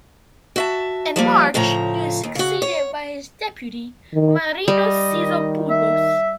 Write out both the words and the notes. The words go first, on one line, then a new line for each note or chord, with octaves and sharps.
In March he was succeeded by his deputy Marinos Sizopoulos.
F#4 E5 A5
F3 G3 A#3
A2 C#3 F3 A#5
D#2
C#3 F#4
C#5
D#3
G3 D#5
D#3
E5